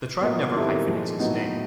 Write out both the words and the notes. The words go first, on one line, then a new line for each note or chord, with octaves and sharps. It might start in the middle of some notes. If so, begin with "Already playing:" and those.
The tribe never hyphenates its name.
A#2 F#3 B3
D#3 G3 C4 E4 A4
A#2 F3 G#3
A2 F#3 B3 D#4